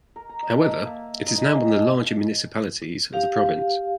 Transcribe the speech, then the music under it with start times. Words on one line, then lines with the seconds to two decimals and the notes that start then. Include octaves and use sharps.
However, it is now one of the larger municipalities of the province.
0.16 A#4
0.29 A#5
0.43 D#5
0.56 A5
0.69 E5
0.85 A#3
1.28 D#4
1.46 G#4
1.61 D#5
1.80 A5
3.13 G4 F5